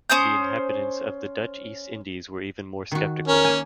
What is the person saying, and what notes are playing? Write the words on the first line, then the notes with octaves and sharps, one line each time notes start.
The inhabitants of the Dutch East Indies were even more skeptical.
C#4 C5 D#6 G6
D#3 F#4
C#4 A#4
A#3 G#5